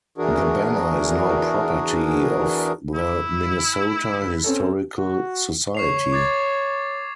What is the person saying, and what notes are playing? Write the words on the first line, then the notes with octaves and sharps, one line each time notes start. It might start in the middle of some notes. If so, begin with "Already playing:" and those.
The banner is now property of the Minnesota Historical Society.
E2 E3 D4 F#4 G#4 A#4
E4
C4 C#4 A4
F#4
C#5 C#6 C7 F7
D6 G#6 A6